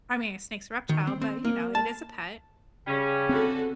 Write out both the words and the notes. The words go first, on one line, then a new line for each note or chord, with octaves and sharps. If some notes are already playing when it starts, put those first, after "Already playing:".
I mean, a snake's a reptile, but, you know, it is a pet,
D#3
C4
C4
A#3
A5
C#3 G3 C#4
D3 C4 F#4 A4